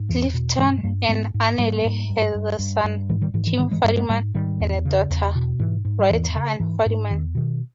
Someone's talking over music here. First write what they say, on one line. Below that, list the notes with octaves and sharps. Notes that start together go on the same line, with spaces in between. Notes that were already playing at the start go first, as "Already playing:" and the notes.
Clifton and Annalee had a son, Kim Fadiman, and a daughter, writer Anne Fadiman.
Already playing: G#2
E2 E3
B2
G2 E3 G#3
G#3
G2 G3 A#3
G#2 G#3 B3
G#2
G#2 G3 A#3
G#2
G2
G2
G2
G2
G#2 E3 G#3
D#3 G3
G#2 E3
E3
G2 D#3 G3
E3 G#3
G2 G3 A#3
G#3 B3
G#2 G3 A#3
G#2 D#3 G3
E2
C#3
E2
B2
G#2 E3
G#2
G3
E2 E3
C#3
G#2 E3
G#2
E2 D#3
B2 D#3